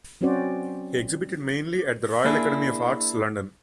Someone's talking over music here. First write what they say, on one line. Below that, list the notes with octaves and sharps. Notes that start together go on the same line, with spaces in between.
He exhibited mainly at the Royal Academy of Arts, London.
F#3 C4 C#4 F#4 C5 D5
A#3 D4 E4 G#4